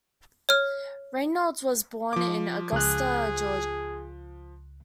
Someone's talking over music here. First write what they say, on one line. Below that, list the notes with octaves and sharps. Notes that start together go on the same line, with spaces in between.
Reynolds was born in Augusta, Georgia.
C#5 F6
F3 D6
C#2 G#4 F#6